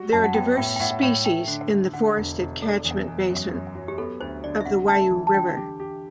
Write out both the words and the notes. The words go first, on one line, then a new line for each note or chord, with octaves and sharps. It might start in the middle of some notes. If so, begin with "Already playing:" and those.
There are diverse species in the forested catchment basin of the Waiau River.
Already playing: G3 F#4
F#2 A5
F#5
B3 G5
A2 G5
G5
A2 F#5
A2 G5
A3 G5
D3
D3
D3 F#5
E1
E1
D4 A4
E2
E2
F#2
F#2
F#3
G4
B3 A4
D2 C5
D3 D5
E5
C3 F#5
A3 A5
E3
A5
D3 G5
G4
G4